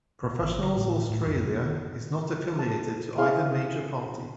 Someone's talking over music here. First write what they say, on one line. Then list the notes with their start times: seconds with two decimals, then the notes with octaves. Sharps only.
Professionals Australia is not affiliated to either major party.
0.23 B2
0.39 G#1
0.57 D3
0.76 A2
1.10 A2
1.26 F#2
1.47 B2
1.66 D#3
2.59 A5
3.18 E4 G#4 C5 F5